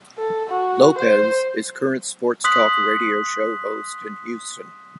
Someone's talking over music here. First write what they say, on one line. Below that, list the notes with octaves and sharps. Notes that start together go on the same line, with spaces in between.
Lopez is a current sports talk radio show host in Houston.
A4
F#4
C5
C6 D#6 F#6 B6 F#7